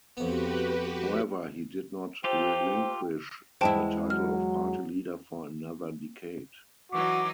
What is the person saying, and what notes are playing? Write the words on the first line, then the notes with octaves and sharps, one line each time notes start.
However, he did not relinquish the title of party leader for another decade.
F2 B3 F#4 G4 B4
F4 G4 A4 C5 G5
E2 G#3 E4 C5 G5 A5
F#3 F6
E3 F#3 D#4 F#4 D6